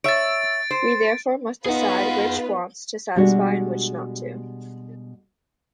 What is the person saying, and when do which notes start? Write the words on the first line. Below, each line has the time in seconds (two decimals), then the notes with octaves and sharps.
We therefore must decide which wants to satisfy and which not to.
0.04 C#5 E5 A6 D7
0.71 C5
1.66 B3 D#4 F4 G#4 B4 F#5
3.16 B2 G3 G#3 D4 F#4